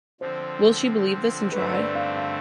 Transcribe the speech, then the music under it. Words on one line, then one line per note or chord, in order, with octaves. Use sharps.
Will she believe this and try?
D3 F3 C4 C5
G2 D3 A3 C4 B4
D5
F5
F5